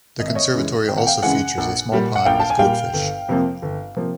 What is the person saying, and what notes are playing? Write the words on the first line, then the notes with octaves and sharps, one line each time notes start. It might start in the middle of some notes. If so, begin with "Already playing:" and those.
The conservatory also features a small pond with goldfish.
G#1 D#5
E5
C#5 D#5
F#2 C#3 E3 G#3
G#1 G5
F#5
F5 G5
F#2 C#3 E3 G#3 F#5 G#5
A#1
A#2 G3
F#5
A#1 F5 G5
A5
G#5
A#2 G3 F5 G5
G1
F2 C3 F3 A#3
G1
C3 F3 A#3